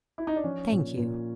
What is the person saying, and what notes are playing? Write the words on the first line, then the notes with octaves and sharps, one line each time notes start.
'Thank you.
E4
D#4
D4
F3 C#4
A#2
A#2